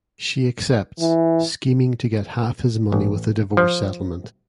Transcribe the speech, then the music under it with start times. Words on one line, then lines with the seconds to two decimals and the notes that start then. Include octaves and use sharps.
She accepts, scheming to get half his money with a divorce settlement.
1.00 E3
2.92 A1
3.57 F3